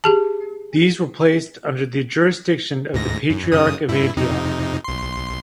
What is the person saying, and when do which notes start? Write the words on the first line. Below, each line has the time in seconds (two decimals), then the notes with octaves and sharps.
These were placed under the jurisdiction of the patriarch of Antioch.
0.04 G4 G#4 A5
2.94 D2 G#2 A#6
3.30 F#2
3.52 F#2 C#3 D#6
3.89 G2 E4
4.17 F2 C3 D#4
4.84 B1 C6